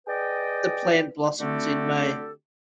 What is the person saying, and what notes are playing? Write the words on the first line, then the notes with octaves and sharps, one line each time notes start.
The plant blossoms in May.
G#4 B4 D5 D#5 G5
D3 A3 C4 F#4 G4 A4